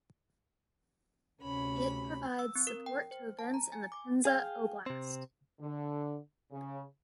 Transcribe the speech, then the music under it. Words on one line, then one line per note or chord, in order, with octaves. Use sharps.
It provides support to events in the Penza Oblast.
D2 C3 C#4 B5
E6
C4
A#4
G5
C5
A5
A#5
G#5
D6
G#4 F5 G5
C3 C4
D3
C#3